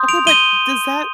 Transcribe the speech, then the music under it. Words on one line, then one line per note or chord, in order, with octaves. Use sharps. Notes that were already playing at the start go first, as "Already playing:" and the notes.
Okay, but does that
Already playing: C6 D#6 G6
D7 F7
D#7 G7